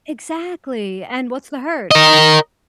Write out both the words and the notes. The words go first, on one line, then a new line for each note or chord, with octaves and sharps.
Exactly, and what's the hurt?
A#4 D#5